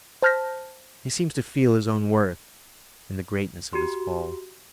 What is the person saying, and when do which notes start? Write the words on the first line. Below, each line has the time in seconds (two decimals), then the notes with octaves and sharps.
He seems to feel his own worth and the greatness of his fall.
0.22 C5 A5 F6 G6 A#6 B6
3.73 F#4 G4 C6